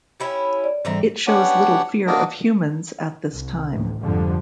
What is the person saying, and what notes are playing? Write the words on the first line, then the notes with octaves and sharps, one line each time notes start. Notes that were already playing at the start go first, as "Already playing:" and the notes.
It shows little fear of humans at this time.
C#4 E4 G4
D5
G#2 D3 E3 G3 C4 D#4
B3 C#4 D4 G4 C#5 F#5
A#3 D4 F#4 A#4 D#5
C2
A1 D2
F2 G#2 D3 F3 G3